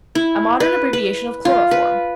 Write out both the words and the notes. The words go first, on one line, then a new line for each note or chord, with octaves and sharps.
A modern abbreviation of chloroform.
E4
B4
B4
F4
B4